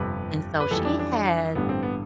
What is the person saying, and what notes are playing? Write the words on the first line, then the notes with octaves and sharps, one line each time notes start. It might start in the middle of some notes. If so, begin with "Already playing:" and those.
and so she had
Already playing: G1 F2 C3 G3 B4
B4
F2 E3 G3 A4
D4
D4
A1 G2 D3 G3 B3
C4
B3